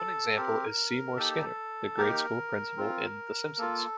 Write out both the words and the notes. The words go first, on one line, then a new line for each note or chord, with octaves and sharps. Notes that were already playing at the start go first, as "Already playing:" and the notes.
One example is Seymour Skinner, the grade-school principal in "The Simpsons".
Already playing: A4
C4 G4 A#4
A#3 D#4 G4 A4
A#3 D#4 G4 A#4
C4 F4
A#3 F4 A4